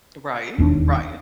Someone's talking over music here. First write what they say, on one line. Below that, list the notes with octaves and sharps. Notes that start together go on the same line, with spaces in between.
Right, right.
E1 D#2 C#4 D4